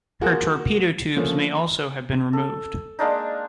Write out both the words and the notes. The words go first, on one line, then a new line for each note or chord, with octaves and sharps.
Her torpedo tubes may also have been removed.
A#3 F4 F#4 G#4 F#5
D3 F3 A3 A#3 C#4 A4
A4
G#3 A#3 D4 D#4